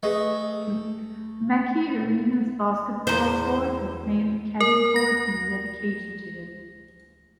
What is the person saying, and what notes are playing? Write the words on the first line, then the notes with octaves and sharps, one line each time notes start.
Mackey Arena's basketball court was named "Keady Court" in dedication to him.
A3 G#4 B4 D#5
E2 C5
A#4
A#6